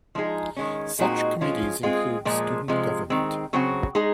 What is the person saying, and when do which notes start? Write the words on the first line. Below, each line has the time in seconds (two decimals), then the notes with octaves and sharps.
Such committees include Student Government.
0.15 F3 G#3 D#4 G#4
0.56 D#3 G#3 C#4
0.99 A#2 G#3 C4 D#4 F#4
1.41 F3 G#3 C#4 F4
1.83 G#3 C4 F4 G#4
2.25 A#2 F3 G#3
2.68 C3 F3 G#3
3.10 D#3 G#3 C4
3.53 C#3 F#3 C4 F#4
3.95 G#3 D#4 G#4